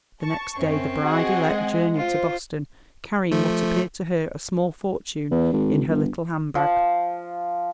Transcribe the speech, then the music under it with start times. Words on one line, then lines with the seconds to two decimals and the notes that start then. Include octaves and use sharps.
The next day the bride-elect journeyed to Boston carrying what appeared to her a small fortune in her little hand-bag.
0.22 A5 C#6
0.58 F#2 C4 C#4
1.03 F#4 G#4 D#5 F#5
1.49 G#3
1.97 F4 C5
3.31 F3 A3
5.31 E2
5.52 G#1
5.89 G1
6.55 F3